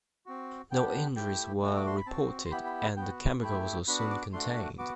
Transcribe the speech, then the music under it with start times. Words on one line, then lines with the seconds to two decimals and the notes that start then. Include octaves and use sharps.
No injuries were reported, and the chemicals were soon contained.
0.26 C4 F#4
0.71 B3 D4 G4 G5
1.16 A3 E4 G4 G5
1.62 A3 D4 F#4
1.76 D6
1.87 C6
1.97 B5
2.07 C4 F#4 A5
2.46 C6
2.51 B3 E4 G4 B5
2.66 B5
2.82 B5
2.97 B3 F#4 G5
3.42 A3 E4 G4 B5
3.88 B3 D4 F#4 B5
3.99 B5
4.11 D6
4.22 D6
4.33 A3 D4 F#4 C6
4.78 B3 F#4 D6